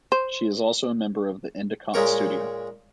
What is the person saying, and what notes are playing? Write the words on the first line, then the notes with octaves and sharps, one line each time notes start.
She is also a member of the Endicott Studio.
C5
A#2 G#3 C#4 A#4 C#6